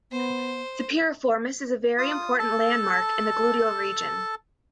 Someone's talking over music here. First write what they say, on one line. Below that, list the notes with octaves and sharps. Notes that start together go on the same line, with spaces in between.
The piriformis is a very important landmark in the gluteal region.
B3 C5
F4 D#6
A4 A5